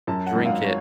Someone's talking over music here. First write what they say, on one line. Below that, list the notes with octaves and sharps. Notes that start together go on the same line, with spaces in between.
drink it,
F#2 A5
F#5
G#1
F5
C#5